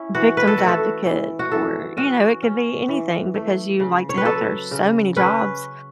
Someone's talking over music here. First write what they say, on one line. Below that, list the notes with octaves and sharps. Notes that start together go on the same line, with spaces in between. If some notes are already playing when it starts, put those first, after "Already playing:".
victim's advocate or, you know, it could be anything because you like to help, there are so many jobs
Already playing: C#4 E4
E3 F#4
B4
A4
A3 F#4
A4
E3
F#4
E3 A4
C#4 F#4
C#4
E3
A3
C#3
C#5
B4
F#3 A4
C#3
C#4 B4